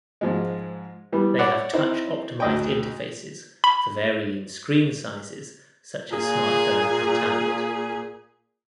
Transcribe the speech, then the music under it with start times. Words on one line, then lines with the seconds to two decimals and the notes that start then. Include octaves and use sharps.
They have touch optimised interfaces for varying screen sizes such as smartphone and tablet.
0.21 G#2 F3 G#3
1.12 E3 G3 B3
1.38 C#5 D5 F#5 B5
1.73 C4 D#4 E4
2.40 D2 D#5 G5
3.64 B5
6.10 A#2 G#4